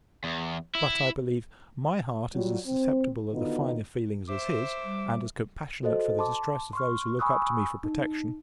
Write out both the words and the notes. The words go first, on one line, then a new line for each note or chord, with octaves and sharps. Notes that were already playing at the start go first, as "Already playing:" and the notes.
But, I believe, my heart is as susceptible of the finer feelings as his, and as compassionate for the distress of those who look up to me for protection.
E2
E4
F#3 G3 F4
C4
D3 D#3 B3 D#4 F4 F#4
C5 E5 D6
G3
F#4 A4 C5 D#5
A5 C6 D6
C6 C#6 F6
G#5 B5 C#6 D#6 E6 F#6
D#4